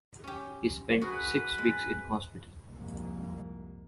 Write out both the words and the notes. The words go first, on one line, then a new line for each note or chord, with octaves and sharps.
He spent six weeks in hospital.
C#4 G4
F#4 G#4 A#4 B4
G#3
C2 F2 G#2 A#3